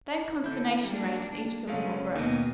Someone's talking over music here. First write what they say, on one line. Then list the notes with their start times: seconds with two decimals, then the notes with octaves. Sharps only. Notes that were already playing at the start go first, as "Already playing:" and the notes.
Then consternation reigned in each sophomore breast.
0.44 D3 E4 A4 G6
0.84 G3 A#3 D4
1.67 C#3 F#3 G#3 A3 C#4 F5
2.15 D#2 B2 A#3 D#4 D#5